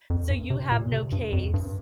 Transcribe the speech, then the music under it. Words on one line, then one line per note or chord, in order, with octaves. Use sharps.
So you have no case."
F2
G2
C3
A#2
C3
G2
F2
G2